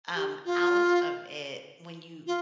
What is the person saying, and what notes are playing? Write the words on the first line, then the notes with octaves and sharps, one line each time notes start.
um, out of it, when you
G4
F4
F4